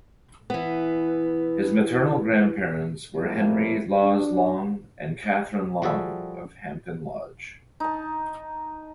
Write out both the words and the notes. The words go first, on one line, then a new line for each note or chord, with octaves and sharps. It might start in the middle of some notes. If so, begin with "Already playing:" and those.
His maternal grandparents were Henry Lawes Long and Catharine Long of Hampton Lodge.
E3 B3
F3 G3 G#3 A#3 C4 E4
D4
F3 G3 F#4 G#4 A4 E5
D#4 A5